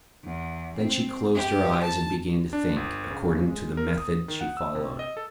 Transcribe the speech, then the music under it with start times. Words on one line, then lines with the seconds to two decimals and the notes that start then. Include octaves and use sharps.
Then she closed her eyes and began to think, according to the method she followed.
0.24 E2
0.78 C4
1.34 G4
1.81 A5
2.53 D4
2.76 G1
3.10 C#3
3.48 G#3
3.77 A#4
3.98 D#6
4.28 D#3
4.41 F#5
4.57 E6
4.75 C3
4.99 D#5
5.17 A4